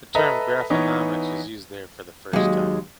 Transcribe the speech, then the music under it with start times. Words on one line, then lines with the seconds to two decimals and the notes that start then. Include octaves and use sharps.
The term 'graphonomics' was used there for the first time.
0.15 A4 B4 D#5 E5 A#5
0.70 E3 B3 D#4 C#5
2.33 D#2 F#3 G#3